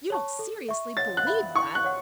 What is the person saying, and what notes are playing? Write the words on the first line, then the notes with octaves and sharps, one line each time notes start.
"You don't seriously believe that?"
C#5 A5 C#6
A4
E5 C#6
C#5 A6
F#6
E5 B5
E4 C#6
F#6
C#5 F#5